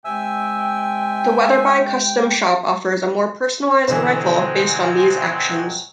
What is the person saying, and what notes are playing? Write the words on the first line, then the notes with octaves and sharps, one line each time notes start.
The Weatherby Custom Shop offers a more personalized rifle based on these actions.
C3 G#3 E5 G5 G#5 E6
B2 D3 E3 F#3 G#3 C4 C5